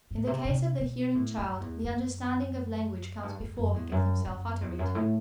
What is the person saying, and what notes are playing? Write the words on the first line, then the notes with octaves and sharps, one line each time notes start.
In the case of the hearing child, the understanding of language comes before he can himself utter it.
A2
C3
C3
B2
A2
F#2
E2
F#2
G2
F#2
F#2
E2
F#2
F#2
E2
F#2
A2